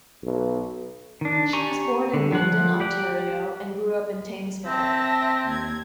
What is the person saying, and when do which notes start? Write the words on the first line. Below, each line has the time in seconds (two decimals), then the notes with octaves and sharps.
She was born in London, Ontario, and grew up in Thamesville.
0.23 B1
1.21 D#3 D4
1.53 G4 G#5 A#5 C#6
2.14 D3
2.32 F3 F#5
2.80 G4 D5 F#5
4.66 C4 E5 A5 A#6
5.47 D#2 G#6